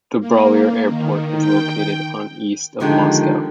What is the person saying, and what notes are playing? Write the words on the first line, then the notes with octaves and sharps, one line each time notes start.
The Brollier Airport is located on east of Moscow.
A#3
D#3
G5
D3 D#3 F3 G#3 G4